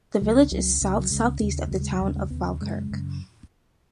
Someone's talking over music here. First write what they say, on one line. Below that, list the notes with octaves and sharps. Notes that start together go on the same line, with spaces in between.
The village is south-southeast of the town of Falkirk.
C#2 C#3 F#3
C#2 C#3 F#3
C#2 C#3
F#3
C#2 C#3 G#3
D#2 C#3
D#2 C#3 F#3
G#3
D#3
D#2 C#3 F#3
G#3
D#2 C#3 B3
F#2 C#3 G#3
F#2 C#3